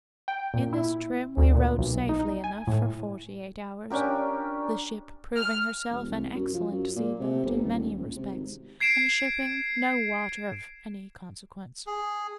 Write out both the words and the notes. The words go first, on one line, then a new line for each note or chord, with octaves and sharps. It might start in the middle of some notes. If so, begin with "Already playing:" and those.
In this trim we rode safely enough for forty-eight hours--the ship proving herself an excellent sea-boat in many respects, and shipping no water of any consequence.
G5
A#2
E4
D2
A#2
B1
D#4
G#5
A2
C#4 D4 G4 A#4
F6
E1
C2
F#2
F3
F#2
A#2
C3
G1
D#1
C#2
C3
G#1
G#6 C7 D7 E7
G#4